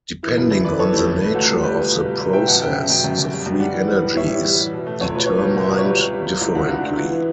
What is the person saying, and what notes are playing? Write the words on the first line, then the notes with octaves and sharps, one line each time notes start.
Depending on the nature of the process, the free energy is determined differently.
E3 E4
F#2 E4
F#2 E4
E3 B4 D5
E3 A4 C#5
A3 E4 G4
A3 A4
A3 B4
C#2 F#4 A4
G3
G3 G4 B4
C#2
B2
G3
C#2
B2 E5 G5
F#2 F#5 A5
C#3 E5 G5
C#3
F#2 E5 G5
F#2
F#2
G3
F#2
G3 D5 F#5
E3
G3
A2
G3 C#5 E5
G3
G3
E3
B2
A3
C#2 A4 C#5
B2 B4
B2 C#5
G4 B4
B2
C#2
E5
C#2 D5
C#5
G3 G4 B4
G3
G3
G3
C#2 E4 G4
C#2 D4 F#4
C#2 D4 F#4
C#2 E4
E3 E4
E3